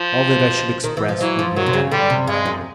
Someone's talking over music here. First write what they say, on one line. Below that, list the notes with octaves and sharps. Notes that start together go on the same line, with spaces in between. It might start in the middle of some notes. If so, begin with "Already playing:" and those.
All that I should express would be inadequate and feeble.
Already playing: F3
D#3
E3
F3
E3 F#3
F3
D#3 F#3
C3
C#3
D3 G3
C3
G2 G#3
F#2